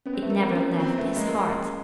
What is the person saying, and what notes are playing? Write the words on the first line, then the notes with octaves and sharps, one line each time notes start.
It never left his heart.
B3 C#4
C4
A3 B3
A#4
A#3 C4
C#4
B3
A#3 C4 F4
A3 B3
C#4
G#3 A#3
A#4
G#3 A#3
C#4